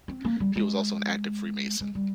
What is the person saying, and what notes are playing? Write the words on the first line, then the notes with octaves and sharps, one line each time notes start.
He was also an active Freemason.
C4
A#3
G3
G#3
G#3
G3